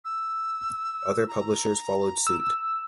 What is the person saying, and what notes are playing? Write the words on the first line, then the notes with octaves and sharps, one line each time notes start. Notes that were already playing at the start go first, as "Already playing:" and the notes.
Other publishers followed suit.
E6
A#5
E6